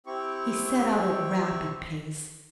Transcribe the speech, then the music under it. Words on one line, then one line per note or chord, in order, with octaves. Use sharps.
He set out at rapid pace.
C4 E4 G4 C#6